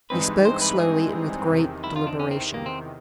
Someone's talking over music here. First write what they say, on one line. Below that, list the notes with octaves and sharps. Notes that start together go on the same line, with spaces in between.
He spoke slowly and with great deliberation.
G2 E3 G#3 C4 D#4 B4
C5
B4
G#4
E2 C3 D#3
E4
F4
D4
C#4
C4
A#3
C4